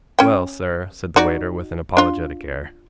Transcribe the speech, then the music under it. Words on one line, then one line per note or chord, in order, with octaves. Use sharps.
'Well, sir,' said the waiter, with an apologetic air.
C#4 G5
D#4 F#4 D5
D4 F4